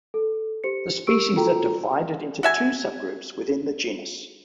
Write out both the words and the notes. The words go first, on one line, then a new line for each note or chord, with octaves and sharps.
The species are divided into two subgroups within the genus.
A4
G4 C5 C#7
G4 A#4 C#6 E6 D7
F4 F#4 A4 G5 A#5
F#4 E5 G#5